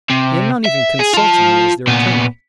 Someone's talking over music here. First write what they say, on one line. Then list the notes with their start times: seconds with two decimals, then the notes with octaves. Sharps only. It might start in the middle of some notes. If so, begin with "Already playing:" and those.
He had not even consulted me as their attorney.
0.10 C3
0.66 E5
0.99 G#4
1.13 F4 A5
1.87 A#2 B3